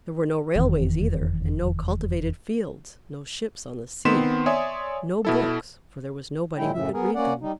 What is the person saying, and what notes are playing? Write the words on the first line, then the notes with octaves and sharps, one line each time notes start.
There were no railways either, and no cultivated fields, no ships on the sea, no books, for there was nobody who could read them.
F1 E2 D#3
D#3 B3 C4 C6 B6 E7
C#5 D5 E5 G#5 C6 D#6
B2 E4 A4
A#2 F#3 G#3 E4 G5
F#2 A2 C#3 E5
B3 G#4 A#4
A#3 C#4 D5 F#5
G3 D#4